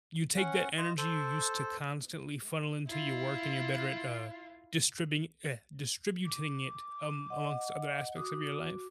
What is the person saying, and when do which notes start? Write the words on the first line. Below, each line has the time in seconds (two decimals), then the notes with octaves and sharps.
you take that energy you used to constantly funnel into your work and you're better at, ah, distribing eh, distributing it, am amongst other aspects of your life?
0.37 C#4 F#5
0.78 F4 D#5
0.98 A4 C5
2.86 E4 F4
6.26 D6
7.30 D#5 F#5
8.16 F#4 D6 D#6